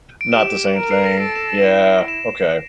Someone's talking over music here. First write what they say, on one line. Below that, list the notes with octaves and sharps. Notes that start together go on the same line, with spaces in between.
Not the same thing. Yeah, okay.
D7
G4 E7
A#4 D7
C7
A#6
A4 D7
E7
E7
E4
D7
E7